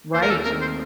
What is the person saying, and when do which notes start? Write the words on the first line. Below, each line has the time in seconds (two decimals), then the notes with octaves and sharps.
Right. R
0.13 D#2 C5
0.22 A#4
0.30 A4
0.45 D#3 A3 C4 A#4
0.61 C5